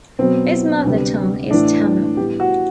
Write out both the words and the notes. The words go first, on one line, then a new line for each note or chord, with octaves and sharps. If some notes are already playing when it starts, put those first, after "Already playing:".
His mother tongue is Tamil.
B2 F#3 B3 C4
D2 C3 G3 B3
A2 E3 A3 D4
A2 G3 B3 G4
F#4